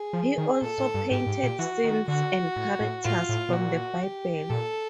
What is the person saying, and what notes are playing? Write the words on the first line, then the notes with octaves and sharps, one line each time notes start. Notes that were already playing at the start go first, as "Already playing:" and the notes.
He also painted scenes and characters from the Bible.
Already playing: G#4
F3
D#3
A#2 A4
A2
G2
G#2 G4
G#2
A#2
E3 F#4
D#3
D3 F#4
A2
A2
A2 F4
A2
B2
A#2 F#4
G4
A#2 A4